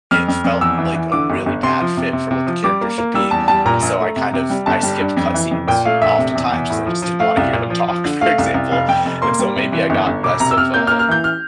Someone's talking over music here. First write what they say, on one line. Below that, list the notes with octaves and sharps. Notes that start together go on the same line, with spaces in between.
it felt like a really bad fit for what the character should be, and so I kind of I skipped cut scenes, often times, ‘cause I just didn't wanna hear them talk, for example, and so maybe I got less of a
F2 F6
F2
F2
E2 E6
E3
E3
D3 D6
G1
G1
C3 C6
F3
C3
C3
C3
F3
G3 D6
A#3
A#3
G3 E6
E2 A5
G3 A5
A#2 A#5
A#1
A3
C3
C3
G3
G1 A5
G3
G2
F2
E3
F2
A#2 G5
A3 F5
A#1 E5
C3
E2
E2
A2
F3
F3
A3 F5
C2
A#2
F3
F3
D3
A3 F5
C2
C2
F1 F5
F2 G5
F1
A#3 C6
G3
C3
E3
G1
G1
E1 D6
C3 A#5
E6
C3 F6
A#3 G6
F6
A#3
F6
E3 G6
F6